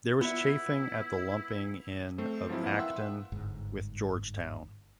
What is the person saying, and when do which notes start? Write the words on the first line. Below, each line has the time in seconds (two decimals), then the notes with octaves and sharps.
There was chafing at the lumping in of Acton with Georgetown.
0.21 B3 E4 F4 E5
2.18 A3 C4 C5
2.48 G#2 F3 F#3 C4 E4
2.62 A#3 E4 B4 F5 F#5
2.79 E5 F#5 G5 C6 E6
3.32 G1 G#2